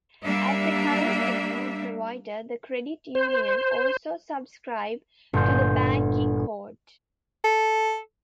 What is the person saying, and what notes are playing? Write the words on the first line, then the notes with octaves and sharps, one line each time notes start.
As a current account provider, the credit union also subscribes to the Banking Code.
G3 A#3 D4 E5
C5
G1 A#2 C6 G6
A4